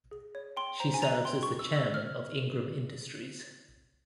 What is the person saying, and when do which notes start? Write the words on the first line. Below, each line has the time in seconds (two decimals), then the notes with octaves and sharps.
She serves as the chairman of Ingram Industries.
0.11 G#4
0.35 C#5
0.57 G5 C6
0.80 C5 A#5
0.94 G#5
1.02 E5 A#5
1.25 G5 C6
1.43 C#6
1.47 A#4
1.59 E6
1.71 E5 E6
1.94 A#4 F6
2.16 A#4